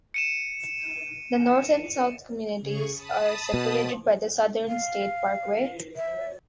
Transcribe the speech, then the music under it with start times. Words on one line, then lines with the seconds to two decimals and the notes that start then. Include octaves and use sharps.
The North and South communities are separated by the Southern State Parkway.
0.14 C#7 D#7 E7
2.61 C#3 G#4 C#6
2.94 A5 B5 D#6
3.54 B2
4.68 F5
5.96 E5